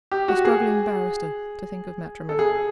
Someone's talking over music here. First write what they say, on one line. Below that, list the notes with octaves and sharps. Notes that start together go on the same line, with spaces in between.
A struggling barrister to think of matrimony!'
G4
F#4
G#4
A4
G#4